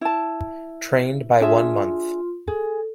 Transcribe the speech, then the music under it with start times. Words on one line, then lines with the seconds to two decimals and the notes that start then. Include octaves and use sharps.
Trained by one month.
0.01 E4 A5
1.41 D4 F4 G#4 E5 C6
2.48 G#4 A4